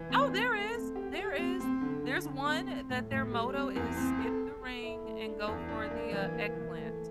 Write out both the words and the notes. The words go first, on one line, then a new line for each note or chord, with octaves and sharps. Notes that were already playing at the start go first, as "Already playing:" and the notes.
Oh, there is, there is. There's one that their motto is "Skip the ring and go for the, uh, eggplant."
Already playing: E3
C4
C4
A3
C4
G4
G4
C4
C4
D3
D3
D3
C4
C4
A2
A2
G3
C4
E2
C4
A4
A4
A4
E4
A3
D4
E2
D4
A#3
E3
A#3
E3
A3